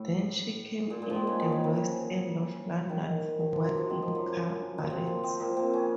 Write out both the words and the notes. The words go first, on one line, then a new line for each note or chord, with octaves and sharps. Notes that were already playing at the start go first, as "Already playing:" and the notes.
Then she came in the West End of London for work in cabaret.
Already playing: A2
A#2
A#2
D#3 F3
C#3
D#3
C#3
C3
C#3
D#3
D#3
F3
F#2 F#3
F3
D#3
F3
F#2 F#3
C#3
A#2
C3
F3
C3 C4
A#2 A#3
C3 C4
C#3 C#4